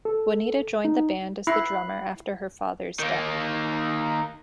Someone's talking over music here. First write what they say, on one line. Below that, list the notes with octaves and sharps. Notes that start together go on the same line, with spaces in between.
Juanita joined the band as the drummer after her father's death.
A4
D#4
E4 B5 F#6 C7
D#3 A#3